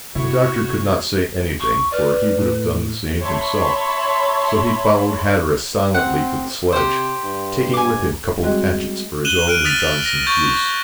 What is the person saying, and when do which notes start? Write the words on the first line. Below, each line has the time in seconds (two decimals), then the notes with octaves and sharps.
The Doctor could not say anything, for he would have done the same himself, so he followed Hatteras silently to the sledge, taking with him a couple of hatchets for his own and Johnson's use.
0.15 C3 E4 F#4 C#5
1.60 C#6
1.92 B4 D5 F6
2.39 A2
3.21 C#5 E5 A5 B5 C6
5.94 C4 F#5
6.72 C3 G4 C5
7.24 G2
7.73 G#5 D6
8.43 G3 G#3 C4 F#4 G#4 D#5
9.25 F#6 D#7 E7 F#7 G7
9.48 F6 F#6 D7 D#7
9.65 D#6 F6 A6 B6 D#7 F#7
10.06 A#6
10.27 C#6 F6 G6 A6